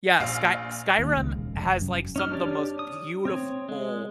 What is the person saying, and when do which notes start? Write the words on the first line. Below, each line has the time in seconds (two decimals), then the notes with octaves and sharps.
Yeah, Sky Skyrim has like some the most beautiful,
0.20 A#1 F5
0.99 D#2
1.17 C#2
1.36 E1
1.55 F1
1.81 F#2
2.16 C#4 D#4 F6
2.31 D4 G4 C#5 D5
2.79 D#6
3.25 C4 C#5
3.69 G#3